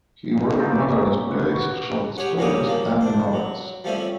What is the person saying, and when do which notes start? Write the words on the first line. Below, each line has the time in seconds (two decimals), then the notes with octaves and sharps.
He wrote numerous plays, short stories, and novels.
0.57 B2 C4 D#4 F4
0.73 A#2 C#5 E5 D6
1.31 B4
1.51 F#4
2.18 G4 G#4 C#5 F#5
2.38 F#3 G3 A#3 G4 G#4 C#5
2.67 F3 A#3
3.01 D4 C5
3.33 F#3
3.84 F3 G3 A3 C4 C#4 E4